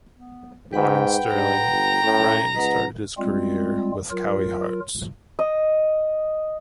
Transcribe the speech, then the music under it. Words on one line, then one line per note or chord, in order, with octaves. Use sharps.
Born in Stirling, Ryan started his career with Cowie Hearts.
B3
G#2 B4 F#5 G5 B5
G2 A#5
G1
A2 C#4
C#2 B4 D#5 F#5
G3 G#3 C4 F4
F#3 F4 A#4
D#5